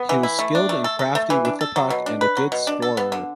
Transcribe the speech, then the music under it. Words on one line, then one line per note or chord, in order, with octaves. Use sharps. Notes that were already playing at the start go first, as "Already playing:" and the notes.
He was skilled and crafty with the puck and a good scorer.
Already playing: B3
E3
E4
A3
D4
A3
A4
A4
A3
E3
D4
A4
F#3
B2
D4
B4
F#3
B2
D4
A4
B3
D3